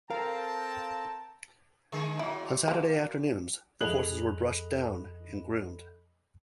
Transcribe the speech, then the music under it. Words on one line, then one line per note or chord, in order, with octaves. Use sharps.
On Saturday afternoons the horses were brushed down and groomed.
C4 A4 A#4 F5 G5 A5 A#5
D3 G#3 G#4
A#2 F#3 E4
A#3
F2 G#4 A4 D#5 B5 F#6 F7 F#7